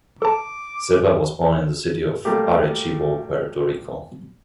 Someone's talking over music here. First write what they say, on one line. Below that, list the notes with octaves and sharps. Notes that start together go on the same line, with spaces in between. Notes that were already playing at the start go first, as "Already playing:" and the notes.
Silva was born in the city of Arecibo, Puerto Rico.
A4 A5 D6
G3 A3 A#3 G4